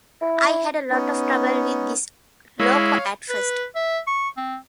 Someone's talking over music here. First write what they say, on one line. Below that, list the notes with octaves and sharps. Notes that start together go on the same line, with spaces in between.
I had a lot of trouble with this loco at first.
E4
B3 C#4 D#4
G#3 E4 C#5 F5
B4
E5
C#6
C4